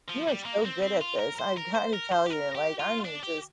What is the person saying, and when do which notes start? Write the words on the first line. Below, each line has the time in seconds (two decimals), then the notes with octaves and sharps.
You are so good at this, I've gotta tell you, like, I'm just,
0.10 F3
0.28 G3
0.46 A#3
0.65 C4
0.82 C4
1.01 F4
1.19 A#4
1.39 C5
1.57 A#4
1.75 C5
1.93 A#4
2.12 C5
2.27 G4
2.31 A#4
2.55 G4
2.80 F4
3.05 D4
3.23 G4